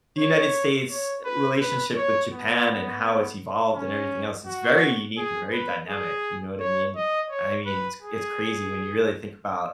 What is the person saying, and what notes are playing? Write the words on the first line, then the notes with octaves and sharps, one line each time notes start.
the United States' relationship with Japan, and how it's evolved, and everything else, it's very unique, and very dynamic, you know what I mean? I mean, it's it's crazy when you really think about
C#5
C#5
B4
B4
C#5
B3
C#4
F#4
G#4
B4
G#4
C#5
D#5
C#5
B4
G#4